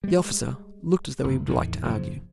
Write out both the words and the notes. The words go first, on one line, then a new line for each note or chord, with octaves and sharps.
The officer looked as though he would like to argue.
G3 G#3
F#1
E2 A2 D#3
F#1 G#2 F3